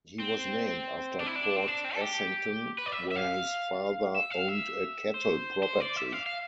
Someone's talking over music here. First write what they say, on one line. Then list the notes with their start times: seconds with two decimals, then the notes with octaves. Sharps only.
He was named after Port Essington, where his father owned a cattle property.
0.20 C4
1.19 D4
1.27 E4
1.36 D4
1.56 C4
1.68 D4
1.84 C4
1.95 A4
2.01 G4
2.79 B4
2.86 D5
2.92 E5
3.11 E5
3.16 F5
4.15 E5
4.31 F5
4.49 E5
5.14 C5
5.63 C5
5.81 D5
5.97 E5
6.13 F5
6.27 F5